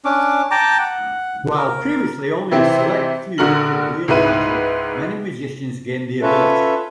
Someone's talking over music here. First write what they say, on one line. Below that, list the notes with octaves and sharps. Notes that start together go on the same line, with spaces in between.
While previously only a select few could wield magic, many magicians gained the ability.
C#4 D4 D6
G5 A5 A#5 D6
F#5
A#4
C3 E3 C4 E4
A#1 D3 F#4 A#4 F6 F#7
C#2 G#2 E4 B4 D#7
C#4 F4 A4 B4 C#5 E5